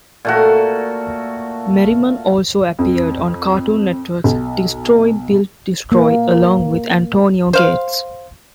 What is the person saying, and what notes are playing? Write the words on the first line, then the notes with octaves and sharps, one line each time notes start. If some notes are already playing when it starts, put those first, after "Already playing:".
Merriman also appeared on Cartoon Network's Destroy Build Destroy along with Antonio Gates.
A#2 A3 F#4
F2
B1
A#3
C5 F5